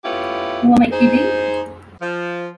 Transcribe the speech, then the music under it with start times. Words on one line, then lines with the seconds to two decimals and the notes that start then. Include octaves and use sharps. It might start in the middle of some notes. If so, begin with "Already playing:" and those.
Who am I kidding?
0.04 A3 B3 C#4 E4 F4 G4
0.92 D#4 G#4 C5
2.01 F3